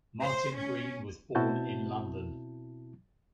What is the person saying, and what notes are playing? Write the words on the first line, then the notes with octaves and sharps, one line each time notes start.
Martyn Green was born in London.
C5
C#4
B2 C4 E4 F#4 A5 G6